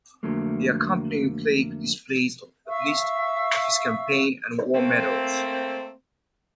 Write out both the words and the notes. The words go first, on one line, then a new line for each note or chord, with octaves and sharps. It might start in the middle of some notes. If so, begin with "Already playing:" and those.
The accompanying plaque displays a list of his campaign and war medals.
F2 D3 F#3 A3 A#3
E5 F5 C#6 E6
A3 A#3 C4